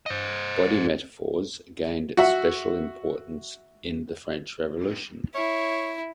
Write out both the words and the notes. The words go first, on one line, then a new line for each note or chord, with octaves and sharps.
Body metaphors gained special importance in the French Revolution.
C5 D#5
F#4 E5 F#5
E4 C#5